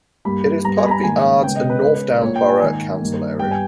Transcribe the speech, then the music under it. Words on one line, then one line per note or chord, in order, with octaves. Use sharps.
It is part of the Ards and North Down Borough Council area.
G2 G3 A#3 B5
G2 G3 B3 A#5
G#5
B5
A#5
G#2 D#3 A#3 G#5
C#3 G#3 B3 G5
D#5
B4
C#3 G#3 B3
A#2 A#3 C#5
G5
G#5
G#2 D#3 A#3 G#5
G2 D#3 A#3
G2 G3 B3 G5
G#5